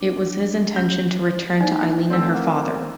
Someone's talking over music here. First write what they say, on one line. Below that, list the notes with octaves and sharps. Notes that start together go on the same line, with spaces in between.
It was his intention to return to Eileen and her father.
D4
C#4 G4 G6
A#3 D#4 D5
D3 E3 A3 C4 E6
A#3 F#5